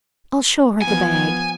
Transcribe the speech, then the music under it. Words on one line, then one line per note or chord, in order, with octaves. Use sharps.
"I'll show her the bag."
F3 B3 G#5